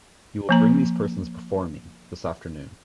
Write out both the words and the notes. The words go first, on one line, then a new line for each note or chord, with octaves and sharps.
You will bring these persons before me, this afternoon.
F3 A#3 A#5